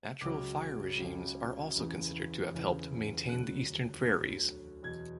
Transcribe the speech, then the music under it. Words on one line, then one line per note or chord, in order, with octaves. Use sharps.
Natural fire regimes are also considered to have helped maintain the eastern prairies.
C#2 C#3 F#3 D6
C#2 C#3 F#3
E2 C#3 E3
E2 C#3 E3
D2 D3 F#3 F#6
D2 D3 F#3
E2 B2 F#3 G#6